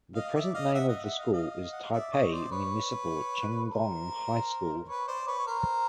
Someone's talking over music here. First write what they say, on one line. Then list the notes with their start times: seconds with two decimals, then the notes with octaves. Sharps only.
The present name of the school is Taipei Municipal Chenggong High School.
0.15 D#5 F5
0.35 D5 E5
0.54 D#5 F5
0.74 E5 F#5
0.89 D#5 F5
1.04 E5 F#5
1.18 D#5 F5
1.34 D#5 F5
1.72 F#5
1.82 F5
1.93 D5 E5
2.13 C#5 D#5
2.32 C5 D5
2.52 B4 C#5
3.70 A#4 C5
4.88 B4 C#5
5.08 C5 D5
5.28 B4 C#5
5.39 C#5
5.47 A#4 C5